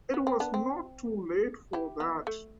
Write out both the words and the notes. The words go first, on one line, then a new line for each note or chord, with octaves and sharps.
It was not too late for that.
B3
C4
B3 D4
C4
E4 G4
B3
A3